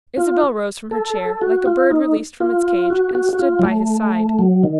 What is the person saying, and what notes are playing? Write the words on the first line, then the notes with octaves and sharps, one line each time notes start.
Isabel rose from her chair, like a bird released from its cage, and stood by his side.
F4
A4
F#4
F4
D#4
F4
F#4
F#4
F#4
F4
F#3
A3
F#3
D#3